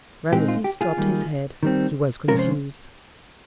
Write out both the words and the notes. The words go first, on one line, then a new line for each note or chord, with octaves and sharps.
Rameses dropped his head; he was confused.
A#2 G#3 C4 D#4 G4
F4
G4
F4 G#4
D#3 G3 A#3
D#3 G3 C4
C3 F3 G#3 C#4 F4 A#4
C5